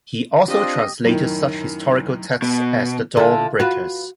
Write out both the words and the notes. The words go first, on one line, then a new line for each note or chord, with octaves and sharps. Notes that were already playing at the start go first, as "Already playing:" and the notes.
He also translated such historical texts as "The Dawn-breakers".
C4 D4 F4 G4 D#5
F#2 A2 D#3
B2
D3 E4 F4 A4
F4 F#4 B4